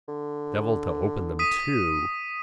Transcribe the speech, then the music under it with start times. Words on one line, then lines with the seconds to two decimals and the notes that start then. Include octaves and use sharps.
Devil to open them too.
0.08 D3
1.39 D#6 B6 D#7